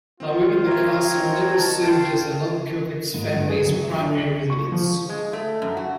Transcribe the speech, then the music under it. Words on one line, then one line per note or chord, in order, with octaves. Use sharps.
However, the castle never served as the Lobkowicz family’s primary residence.
D#3 C4 F4
C4 A#4 C#5 E5 A#5
C#4 D#4 A#4
A5
F5 G5 C6
G#2
G2
G#4
F#3
E5
D4
F#7
C#6
F3
G#3
A3
F#2
F#4